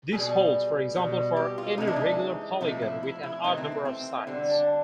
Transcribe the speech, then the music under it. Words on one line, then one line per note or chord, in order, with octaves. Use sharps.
This holds, for example, for any regular polygon with an odd number of sides.
B2 G3 G#4
B2 G3
G4
F4
C3 E3 G#3 D#4
D4
D#4
C3 F3 A3 D#4
E4
E4
E4
C3 E3 A3 D#4
C4
C4
C4
D3 G3 C4
D4